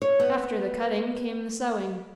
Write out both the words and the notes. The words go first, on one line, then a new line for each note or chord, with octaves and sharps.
After the cutting came the sewing.
C#5
B3